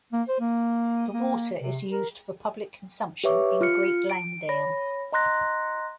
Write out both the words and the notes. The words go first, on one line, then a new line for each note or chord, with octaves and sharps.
The water is used for public consumption in Great Langdale.
A#3
C5
A#3
A#3
C3
A#4
G4 B4 C#5 E5 C#6 D6
F4 F6 C#7
D7
C#5 B5 A#6
D#5 A#5 C6 F#6 A#6